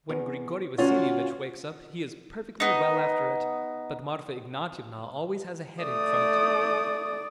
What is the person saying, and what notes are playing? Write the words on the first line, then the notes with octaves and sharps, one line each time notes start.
And when Grigory Vassilyevitch wakes up he is perfectly well after it, but Marfa Ignatyevna always has a headache from it.
E2
D2 C#4 F4 F#4
B3 D#4
A3 D5 D#6